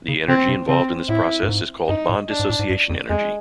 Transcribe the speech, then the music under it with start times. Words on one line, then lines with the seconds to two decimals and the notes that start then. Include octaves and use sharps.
The energy involved in this process is called bond dissociation energy.
0.08 C#3
0.28 C#3 C4
0.49 C3
0.69 C#3 C4
1.09 A2 E4
1.43 G2
1.49 G#2
1.89 G2 D#4
2.09 A2
2.29 D4
2.40 G#2
2.50 A2
2.59 G#2
2.70 G2
2.90 F2
3.09 F2 G#3